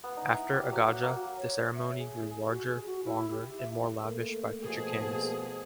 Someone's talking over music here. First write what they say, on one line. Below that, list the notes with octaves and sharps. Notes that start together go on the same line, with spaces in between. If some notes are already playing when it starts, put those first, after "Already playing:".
After Agaja the ceremony grew larger, longer and more lavish by future kings.
B3
D#4
E4
G4
F#3
F#5
A#3
C#5
E5
G#4
F#4
G#4
F#4
E4
G4
E5
A3 A#3
B2 F3 G#4 A5